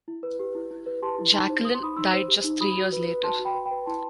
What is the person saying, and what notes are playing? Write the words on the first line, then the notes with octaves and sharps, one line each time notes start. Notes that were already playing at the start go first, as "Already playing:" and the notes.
Jacqueline died just three years later.
E4
B4
G4
E4
E4
B4
G4 A5 C6
E4
D#4 A5 C6
C5
G4 D#6
C6
D#4 B5 D#6
D#4 C6 E6
C5
G4
D#4
F#4 B5 D#6
F#4
B4
B4
F#4 A5 C6
F#4
G5 B5
B4
G5 B5
B4
E4 A5 C6